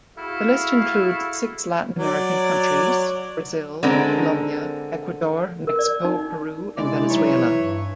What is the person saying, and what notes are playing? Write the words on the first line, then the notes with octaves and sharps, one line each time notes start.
The list includes six Latin American countries: Brazil, Colombia, Ecuador, Mexico, Peru and Venezuela.
E4 F#4 G#4 A4 E5 F5
F#3 D5
D3 G#3 C4 A#4
A#4
D5
D#4
D#4
C3 G#3 E4 D5
E3 F#3 D#4 C#5
G2